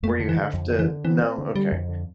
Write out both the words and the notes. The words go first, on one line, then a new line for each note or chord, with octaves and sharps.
Where you have to No? Okay.
F2 A3
D3
E3
D3
F2
D3
E3
D3
E3 C4
C4
D3
D3 G3
F2
D3